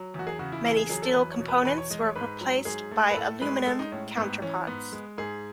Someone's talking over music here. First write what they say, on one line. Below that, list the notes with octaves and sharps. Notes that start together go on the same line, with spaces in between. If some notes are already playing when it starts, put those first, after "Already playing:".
Many steel components were replaced by aluminium counterparts.
Already playing: F#3
E2 F#4
G#4
C#3 F#4
E4
E2 E4
G#4
F#3 G#4
A4
E2 B4
C#5
B2
B4
E2 B4
C#5
G#3 D#5
C#5
G#2 B4
F#3
G#2 G#4
A3
B4
A2 A4
G#3 B4
G#3 A4
D#4
A2 C#4
G#2 B3
E3 C#4
G#2 B3
G#3
G#2 G#4